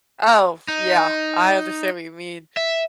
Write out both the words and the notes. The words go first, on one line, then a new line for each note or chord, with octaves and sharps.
Oh, f yeah, I understand what you mean.
D#4
E5